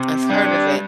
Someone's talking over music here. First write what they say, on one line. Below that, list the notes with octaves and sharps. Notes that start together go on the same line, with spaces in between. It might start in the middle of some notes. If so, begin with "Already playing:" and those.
I've heard of it.
Already playing: C3
G3 D4